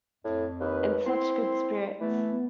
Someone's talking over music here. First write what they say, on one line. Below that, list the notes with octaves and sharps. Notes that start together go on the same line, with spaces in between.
In such good spirits.
F2 A2
D#2 B4
C4 E4 C6
E3 A3 B3
B3